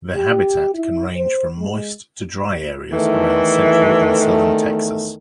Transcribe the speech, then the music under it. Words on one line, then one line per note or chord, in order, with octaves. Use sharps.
Their habitat can range from moist, to dry areas around central and southern Texas.
G4
E4
C5
G#3
E2 D#3 E3 A3